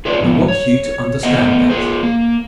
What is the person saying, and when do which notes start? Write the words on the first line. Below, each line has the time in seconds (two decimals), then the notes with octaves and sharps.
I want you to understand that.
0.05 F4 G#4 B4 C#5 D5
0.20 G#2 D3 F3 B3
0.48 C#5
1.23 A3 B3 C5 D#5 F#5
1.70 F4 G#4 C5
2.03 A#3